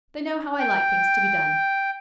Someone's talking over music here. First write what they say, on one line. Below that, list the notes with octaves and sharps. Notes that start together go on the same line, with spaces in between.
They know how I like things to be done.
G5